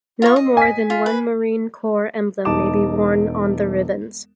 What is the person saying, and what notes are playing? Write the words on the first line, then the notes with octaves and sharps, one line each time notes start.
No more than one Marine Corps emblem may be worn on the ribbons.
F4 C#6
D#5
G#5 B6
F4
B4
E1 D#4 A5 D6 E7